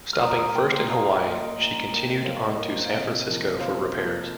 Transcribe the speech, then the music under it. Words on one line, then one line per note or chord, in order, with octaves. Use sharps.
Stopping first in Hawaii, she continued on to San Francisco for repairs.
F6
A#2 A#5 D#6
A#5 D#6
A#3 G5 C6
G5 C6
A#2 F5 A#5
D#5 G5
A#3
D#5
A#2
A#3
A#2 C5 F5
D#5
A#3 C5
F5
C3 D#5
F3 A#3
C3 C5 F5
F3 A#3